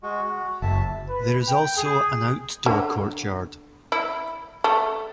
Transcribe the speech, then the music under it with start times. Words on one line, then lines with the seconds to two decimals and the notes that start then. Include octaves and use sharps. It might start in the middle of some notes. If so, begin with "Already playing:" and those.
There is also a outdoor courtyard.
0.03 G#3 F#4
0.24 F#4
0.62 F#1 E5 A5
1.09 B4
1.48 G5
1.77 G#4
2.66 D3
3.92 E4
4.64 A3